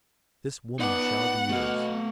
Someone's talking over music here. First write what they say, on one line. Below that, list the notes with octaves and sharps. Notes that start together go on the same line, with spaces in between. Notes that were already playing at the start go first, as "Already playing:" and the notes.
This woman shall be yours.
B3 D#4 D5 F#5
B2 A3 F5